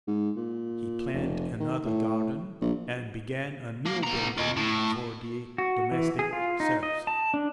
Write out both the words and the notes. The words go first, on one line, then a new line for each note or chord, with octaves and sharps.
He planned another garden and began a new building for the domestic serfs.
G#2
A#2
F1
D#3
A2
A#1
A#3
B3 A#5
F4 D#5
A2
F#4
E3
G#4
F4
D#4
D#5
A5
D4